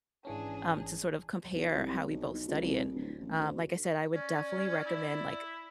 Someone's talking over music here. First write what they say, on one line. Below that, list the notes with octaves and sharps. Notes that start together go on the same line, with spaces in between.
um, to sort of compare how we both study, and, um, like I said, I would definitely recommend, like
G#1 E3 C#4 D4 G#4
B1
C2
B1
B1
C#2
C2
D1
A1
D2
C#4 D5
E4